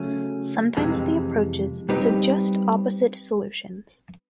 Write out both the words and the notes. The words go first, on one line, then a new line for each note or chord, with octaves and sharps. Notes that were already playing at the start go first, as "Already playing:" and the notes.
Sometimes the approaches suggest opposite solutions.
Already playing: C#3 F#3 A3 C#4
F2 C3 E3 G#3
G3 C4 D#4 G4 B4